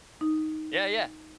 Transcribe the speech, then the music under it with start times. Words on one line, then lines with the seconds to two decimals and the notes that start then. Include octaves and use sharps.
Yeah, yeah.
0.21 D#4